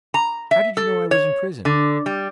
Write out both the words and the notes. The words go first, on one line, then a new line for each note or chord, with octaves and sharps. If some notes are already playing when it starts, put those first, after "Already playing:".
"How did you know I was in prison?"
A#5
E5
A4
C#5
D3
G3